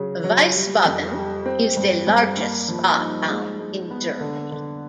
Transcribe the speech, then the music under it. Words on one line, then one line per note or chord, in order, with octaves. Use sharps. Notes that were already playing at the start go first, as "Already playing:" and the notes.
Wiesbaden is the largest spa town in Germany.
Already playing: C#3 F#3
F#3
G3
F2
G3
C4
G2
G2
A#3
F3
D#4
G#3
G#3
B3
D3
D3